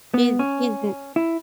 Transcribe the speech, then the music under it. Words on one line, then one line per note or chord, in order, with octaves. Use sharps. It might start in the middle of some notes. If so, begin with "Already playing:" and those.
She's she's n
B3
C#4
E4